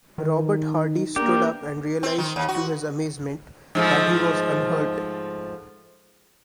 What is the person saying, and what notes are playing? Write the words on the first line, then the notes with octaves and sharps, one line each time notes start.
Robert Hardy stood up and realised to his amazement that he was unhurt.
D#3
A#3 D4 G4 A#4
C4
D#3
D#2
F#4
G#2 F3 A3